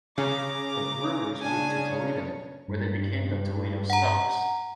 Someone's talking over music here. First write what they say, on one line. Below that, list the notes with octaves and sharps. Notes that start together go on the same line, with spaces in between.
The Brewers moved to Toledo, where they became the Toledo Sox.
C#3 A#5 D6
D4 G#5
C#5
G2
F#5 A#5